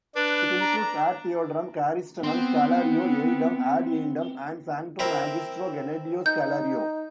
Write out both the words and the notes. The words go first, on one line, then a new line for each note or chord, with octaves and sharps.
It includes "Ad Theodorum Carystenum", "Scholario," "Eidem", "Ad eundem" and "Sancto magistro Gennadio Scholario".
D4 B4
A#5
B3 C4 C6
C4 E4 A#4
D#4 G6